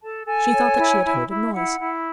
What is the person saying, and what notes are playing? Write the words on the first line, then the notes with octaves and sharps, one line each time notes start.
She thought that she had heard a noise.
A4 A5
A4 G#5
C#5
E4
E4
E4
E5
E4 F#5
E4